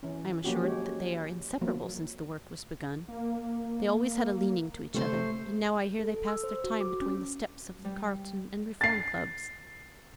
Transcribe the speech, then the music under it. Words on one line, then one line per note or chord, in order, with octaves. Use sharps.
"I am assured that they are inseparable since the work was begun. They always had a leaning to each other, and now I hear they pass their time between the steps of the Carlton and Reform Clubs."
E3 C#4
F3 F#3 A#3 C#4 F#4 G4
G#3 C#4 G4 C#5
F3 F#3 A#3 B3
A#3
C3 A3 C5 C6
A4
A4
E6
C5
F#4
D6
C#4
G3
A6 C7